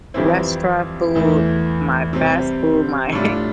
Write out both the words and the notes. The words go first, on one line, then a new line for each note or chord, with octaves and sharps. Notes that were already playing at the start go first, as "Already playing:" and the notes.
restaurant food, my fast food, my,
F2 E3 G3 C4 E4
E2 E3 A3 E4
C3 G3 C4
A2 G3 D4 F4